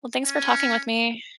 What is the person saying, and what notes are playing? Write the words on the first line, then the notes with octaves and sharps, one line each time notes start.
Well, thanks for talking with me.
C#4